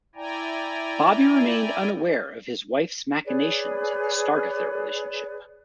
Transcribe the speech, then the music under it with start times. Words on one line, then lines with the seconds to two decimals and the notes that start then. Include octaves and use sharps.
Bobby remained unaware of his wife's machinations at the start of their relationship.
0.15 E4 D5 G5 G#5 A#5
3.26 G#4 B4 C#5 D5